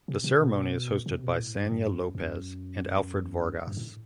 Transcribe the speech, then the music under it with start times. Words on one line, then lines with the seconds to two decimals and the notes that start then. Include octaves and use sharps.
The ceremony is hosted by Sanya Lopez and Alfred Vargas.
0.08 C3
0.24 C3
0.40 B2
1.06 C3
1.23 B2
1.39 A2
1.55 G2
1.71 G2
1.93 F#2
2.15 F#2
3.67 G2
3.77 A2